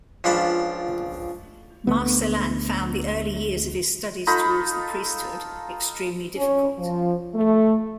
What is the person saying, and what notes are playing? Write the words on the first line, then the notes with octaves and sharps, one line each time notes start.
Marcellin found the early years of his studies towards the priesthood extremely difficult.
C#2 F3 D4 A5 B5
D2 B3
D#4 F4 A4 B5
C#4
F3
A3